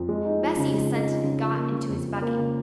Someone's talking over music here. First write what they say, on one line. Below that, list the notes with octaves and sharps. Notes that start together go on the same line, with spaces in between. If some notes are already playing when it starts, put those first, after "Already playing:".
Bessy assented and got into his buggy.
Already playing: F2
G#3
D#4
F3
C#3
G#3
D#4
F3
C#3
F3
A#3
C#3
F2
F3
A#3
C#3